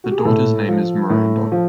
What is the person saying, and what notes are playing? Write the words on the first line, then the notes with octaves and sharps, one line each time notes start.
The daughter's name is Miranda.
F#4
G4
G#4
A2 A4
F3
A2
F3